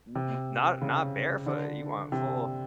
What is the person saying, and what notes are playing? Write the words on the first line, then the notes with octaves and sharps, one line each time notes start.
N n not not barefoot, you want full
C3
C#3
D3
C3